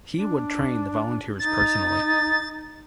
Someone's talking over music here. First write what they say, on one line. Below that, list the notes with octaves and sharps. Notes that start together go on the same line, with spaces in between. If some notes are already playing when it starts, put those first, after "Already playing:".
He would train the volunteers personally.
D4
D#4 A6